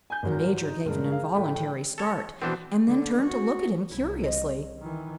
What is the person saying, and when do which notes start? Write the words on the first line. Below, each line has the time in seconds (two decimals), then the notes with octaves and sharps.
The Major gave an involuntary start, and then turned to look at him curiously.
0.10 G#5 G6
0.23 G#1 F#3 A#4
0.63 D#4
0.85 A#1 G2 G#3 A#4
1.11 G#4 F5
1.35 A2 A3 G5 B5
1.98 A4 C#5
2.42 B2 E3 B3 C4 D4 C5
2.87 D3
3.23 F#4
3.91 C2 E4
4.24 D#5
4.80 D#3 E3